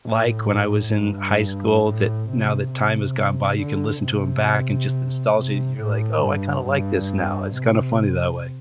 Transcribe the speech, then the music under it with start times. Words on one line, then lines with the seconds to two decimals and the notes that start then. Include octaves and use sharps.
like when I was in high school that now that time has gone by, you can listen to 'em back and just the nostalgia, you're like, "Oh, I kinda like this now." It's kinda funny that way.
0.10 A2
0.98 G2
1.86 A2
2.29 C3
2.73 C3
3.60 D3
4.04 C3
5.35 C3
5.79 A2
6.23 G2
6.66 G2
7.54 C3